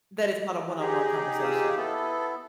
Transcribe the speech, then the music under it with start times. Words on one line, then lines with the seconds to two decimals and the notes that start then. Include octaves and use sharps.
Then it's not a one-on-one conversation,
0.66 E3
0.80 D#4 G4 G#4 A#5
1.43 F4 D#6 E6
1.77 B3 E4 A4